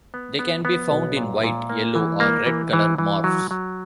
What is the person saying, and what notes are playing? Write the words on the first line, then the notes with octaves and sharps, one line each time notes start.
They can be found in white, yellow, or red colour morphs.
B3
B3
B3
B1
A#2
A#2
A#3
E3
A#3
E3
E3
E3
F#3
F#3